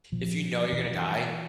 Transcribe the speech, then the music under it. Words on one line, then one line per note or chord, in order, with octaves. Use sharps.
if you know you're gonna die
A#2 F3
B2 E3